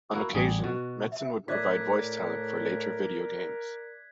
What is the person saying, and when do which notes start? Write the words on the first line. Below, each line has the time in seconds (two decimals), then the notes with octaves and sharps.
On occasion, Metzen would provide voice talent for later video games.
0.12 A#3 E4 F#4
0.34 A1 G3 G#4
0.64 B2 F#4
1.12 E5
1.48 A2 A#4 D5 E5 F#6 G#6 B6